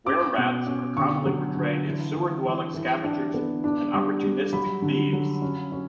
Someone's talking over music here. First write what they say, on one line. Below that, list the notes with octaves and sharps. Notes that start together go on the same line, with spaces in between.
Were-rats are commonly portrayed as sewer-dwelling scavengers and opportunistic thieves.
C#4 D6
B2
C#4
D3 C#6
F#3
D3
E3
E3
E3
E3
D4
B3
D4
G3
G3
F#3 B5
D3
F#3
C#4
C#4